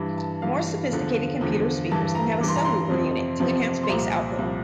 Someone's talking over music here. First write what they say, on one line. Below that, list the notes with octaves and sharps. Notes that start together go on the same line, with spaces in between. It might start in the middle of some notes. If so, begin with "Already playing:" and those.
More sophisticated computer speakers can have a subwoofer unit, to enhance bass output.
Already playing: G2 E3
A5
G2 E3 F5
E2 D3 F3
E2 D3 F3
G2 E3 A5
A#5
G2 E3 D6
C6
A#5
C6
F2 C3 F3
F2 C3 F3
C6
C2 A#2 F3 A#5
C2 A#2 F3